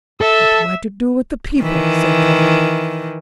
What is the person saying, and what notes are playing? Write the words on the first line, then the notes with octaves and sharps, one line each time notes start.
"What am I to do with the people?" said Dron.
A4 E5
D#3 E3